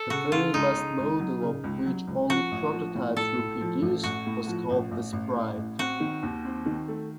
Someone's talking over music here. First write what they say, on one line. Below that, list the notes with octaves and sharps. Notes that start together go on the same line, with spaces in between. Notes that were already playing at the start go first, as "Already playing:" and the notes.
The very last model, of which only prototypes were produced, was called the Sprite.
Already playing: A4
C#3 F#4
C#3 F4
C#2 D#4
C#3
C#2
F#3
C#3
C#2
F#3
C#2
F3 F#4
A1
F3
A2
A2 A4
A2
F3
A1
A1 F#4
A2
F3
A1
A1
A1
A2
A1
C4 F#4
D#3
D#2
C4
D#3
A3